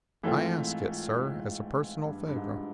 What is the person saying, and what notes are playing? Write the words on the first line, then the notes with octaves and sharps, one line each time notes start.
I ask it, sir, as a personal favor.'
G#2 E3 A3 C4 F4
G#2
G2
G2
G#2